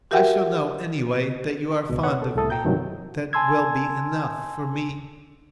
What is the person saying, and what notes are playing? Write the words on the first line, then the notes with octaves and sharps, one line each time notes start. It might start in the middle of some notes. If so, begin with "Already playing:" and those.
I shall know, anyway, that you are fond of me, that will be enough for me.
F#4 G4 A#4 E5 F#5 G5
C#2 B2
B4 C#5 F#5
A4
C2 A2 A3 A4 D#6
G5 A#5 G6
G2 C3 D#3 E3 F#3
G#5 A5 C6 E6 G#6